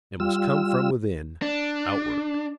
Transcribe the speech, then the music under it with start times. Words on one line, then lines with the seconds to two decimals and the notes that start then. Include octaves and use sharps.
It must come from within, outward.
0.20 G3 F4 E6
1.42 D4